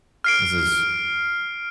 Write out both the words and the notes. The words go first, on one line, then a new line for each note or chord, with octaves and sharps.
This is
F6 C7 D7